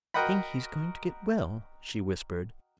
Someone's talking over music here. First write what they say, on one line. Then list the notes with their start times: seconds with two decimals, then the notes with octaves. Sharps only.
"I think he's going to get well," she whispered.
0.14 F#4 A#4 D#5 F#5 G5 B5